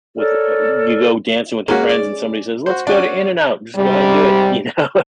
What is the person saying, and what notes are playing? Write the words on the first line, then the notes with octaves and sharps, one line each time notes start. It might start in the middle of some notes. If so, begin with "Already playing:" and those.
with, uh you go dancing with your friends and somebody says, "Let's go to In-N-Out," just go ahead and do it, you know?
A4 A#4 C#5 D5
G#3 A#3 C#4 F#4
D5
F#4 C5
C#4 D4 F#4 D5
G#2 C3 G3